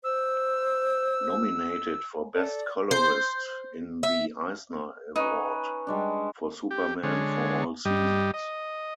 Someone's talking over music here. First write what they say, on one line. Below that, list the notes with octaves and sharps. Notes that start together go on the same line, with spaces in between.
Nominated for Best Colorist in the Eisner Award, for "Superman For All Seasons".
C5 E6
A4 D5
C5
E5
C#4 D#4 B4
G3 G#3 D4
G4
D3 G#3 C#5
G2 G3 D#5
D#5